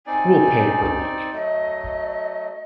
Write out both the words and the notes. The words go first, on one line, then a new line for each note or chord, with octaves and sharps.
Who will pay for Luck?
C4 D#4 D5 G#5
F#3 A3 D#5